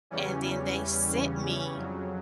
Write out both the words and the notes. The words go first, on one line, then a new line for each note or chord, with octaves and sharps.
and then they sent me,
E2 C#3 E3 G3 C#4
F2 C#3 F#3